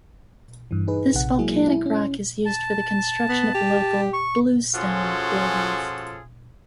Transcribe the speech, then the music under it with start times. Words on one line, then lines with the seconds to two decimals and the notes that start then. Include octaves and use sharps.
This volcanic rock is used for the construction of local "bluestone" buildings.
0.71 G2 E3
0.87 D#4 G#4 B4
1.14 A#1 C3 F#5
1.39 F#3 G#3 A#3 E4 G#4
1.68 E4
1.86 C#4
2.46 A5
3.29 B3
3.55 G4
4.13 C#6
4.74 F3 C#4 F4 F#4 G#4 A4